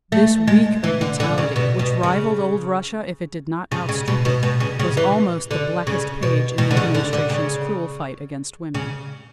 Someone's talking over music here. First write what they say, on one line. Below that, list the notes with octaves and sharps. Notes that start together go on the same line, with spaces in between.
This week of brutality, which rivaled old Russia, if it did not outstrip it, was almost the blackest page in the Administration's cruel fight against women.
A3
G#3
E3
D3
D3
C#3
B2
B2
C#3
C#3
C#3
B2
B2
B2
C#3
C#3
E3
D3
C#3
B2
B2
D3
C#3
D3
D3
C#3
C#3